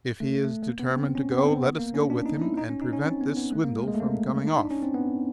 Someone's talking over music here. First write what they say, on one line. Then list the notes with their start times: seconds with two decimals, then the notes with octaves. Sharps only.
If he is determined to go let us go with him and prevent this swindle from coming off.'
0.20 A3
0.44 A3
0.62 A3
0.68 A#3
0.79 B3
0.91 C4
1.15 C#4
1.32 B3
1.39 C4
1.63 B3
1.78 A#3
1.94 C#4
2.10 D4
2.26 D#4
2.42 E4
2.57 D#4
2.69 C#4
2.81 D#4
2.93 C#4
3.05 C4
3.21 B3
3.37 B3
3.52 A3
3.64 A#3
3.76 G#3
3.88 G#3
3.95 A3
4.00 A#3
4.47 D#4
4.59 D4
4.71 C#4
4.83 C4
4.95 B3